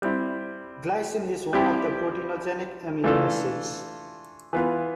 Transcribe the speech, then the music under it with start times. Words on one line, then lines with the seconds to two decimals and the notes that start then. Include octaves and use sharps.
Glycine is one of the proteinogenic amino acids.
0.02 G3 C4 E4
1.53 G3 C4 E4 G4
3.04 E3 A3 D4 F4 A4
4.53 E3 B3 F4 B4